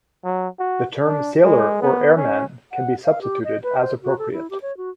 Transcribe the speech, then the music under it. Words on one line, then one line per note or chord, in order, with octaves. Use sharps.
The term "Sailor" or "Airman" can be substituted, as appropriate.
F#3
F#4
D4
G#3
B3
C#4
F#5
F5
G4
D#5
B4
C5
F#4
A4
E4
G4
C#5
F#4